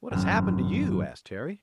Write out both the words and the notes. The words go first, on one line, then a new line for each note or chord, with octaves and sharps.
"What has happened to you?" asked Harry.
G#1 F#2